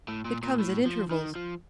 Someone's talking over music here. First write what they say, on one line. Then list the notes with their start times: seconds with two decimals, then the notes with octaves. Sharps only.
It comes at intervals.
0.08 A2
0.25 A#2
0.43 A#2
0.59 A2
0.86 F3
1.11 D#3
1.35 F3